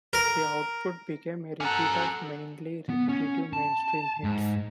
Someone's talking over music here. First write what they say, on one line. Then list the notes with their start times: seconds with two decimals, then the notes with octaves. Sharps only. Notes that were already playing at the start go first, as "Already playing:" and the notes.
The output became a repeat of mainly repetitive mainstream hits.
0.13 A#4
1.61 C#4 A4 F#5 A#5
2.89 B3
3.09 C#4
3.53 A5
4.24 G#2